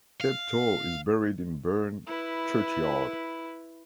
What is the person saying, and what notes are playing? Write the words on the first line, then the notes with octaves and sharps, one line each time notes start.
Steptoe is buried in Bourn churchyard.
F5
E4 B4